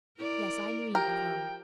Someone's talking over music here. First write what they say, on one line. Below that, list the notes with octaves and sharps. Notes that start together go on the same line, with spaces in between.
Yes, I knew you would come.
E4 A#4 D5
F3 G4 A#4 G5